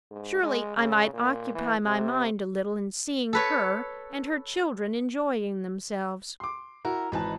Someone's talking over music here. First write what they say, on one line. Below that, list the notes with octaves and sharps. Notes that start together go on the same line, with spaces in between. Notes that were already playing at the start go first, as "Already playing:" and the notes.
Surely I might occupy my mind a little in seeing her and her children enjoying themselves.
G#2
G#3
C#3
A#2
E3
C3
A4 B4 C#5
C6 D6
E4 F#4 A#4
G#1 E3 D#4 B4 A5